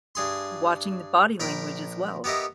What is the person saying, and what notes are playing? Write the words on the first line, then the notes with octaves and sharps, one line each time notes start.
watching the body language as well.
G2 G#4 C6
A#1 A#4 G5 B5
B3 G4 A#4 D#5 E5